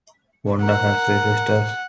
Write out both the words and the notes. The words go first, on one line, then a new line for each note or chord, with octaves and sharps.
Vonda has three sisters.
A#4 F#5